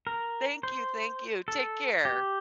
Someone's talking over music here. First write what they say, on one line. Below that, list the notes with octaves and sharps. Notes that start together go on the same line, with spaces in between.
Thank you, thank you, take care.
A#4
C5
A4
G4